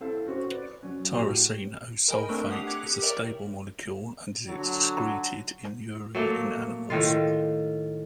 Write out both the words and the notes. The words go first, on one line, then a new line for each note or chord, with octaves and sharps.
Tyrosine O-sulfate is a stable molecule and is excreted in urine in animals.
C4 E4 A4 F5
C#4 F#4 C5 C#5
B4 D5
F#3 C#4
A2 F#4 G4
A#4 D#5 G5 G#5 B5
A3 C4 D4 A#4
G4 F#5 D#6 C7 F7
D6 F#6 G#6 C#7
G4
A#4 C#5 D5 E5 G5
D3 F#3
F#3 A3 A#3
A2 D#3 F4